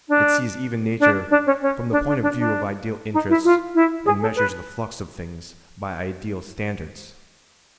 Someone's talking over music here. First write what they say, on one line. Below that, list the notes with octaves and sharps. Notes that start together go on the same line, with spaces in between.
It sees even nature from the point of view of ideal interests, and measures the flux of things by ideal standards.
D4
D4
D4
C#4
C#4
D4
D4
D4
D4
D#4
E4
F4
E4
G#4
A4
B4